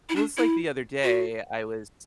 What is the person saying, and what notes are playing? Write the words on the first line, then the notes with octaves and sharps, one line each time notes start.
Well, it's like the other day, I was
E4
D4
E4
F#4